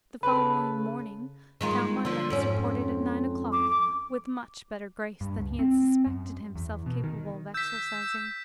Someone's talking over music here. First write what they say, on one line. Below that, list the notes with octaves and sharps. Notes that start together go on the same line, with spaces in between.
The following morning Count Marlanx reported at nine o'clock with much better grace than he had suspected himself capable of exercising.
C#3 A4 B4 B5
D#3 G#3 F4
D3 F3
F2 G#2 C#4
D6
G2
C#2
C4
F#2
E2
B2
D#3
E6 G6 B6